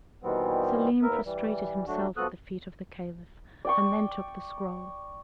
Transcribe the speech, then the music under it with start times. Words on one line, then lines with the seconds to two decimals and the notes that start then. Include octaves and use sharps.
Selim prostrated himself at the feet of the Caliph, and then took the scroll.
0.23 B2 D#3 E3 G3 B3 C4
1.02 D#2 B3 A#4 E5
1.25 E3 G3
1.87 F#3 A3 D4 F#4
2.17 F3 B3 F#4 A4 D#6 F#6
3.65 D5 G5 C#6